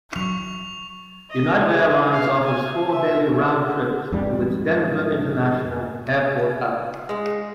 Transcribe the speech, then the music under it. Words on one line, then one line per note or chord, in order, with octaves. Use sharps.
United Airlines offers four daily round trips to its Denver International Airport hub.
F#3 C#6 F7
D#5
G#4
F5
G#5
E5
F2 G#2 G3
G#3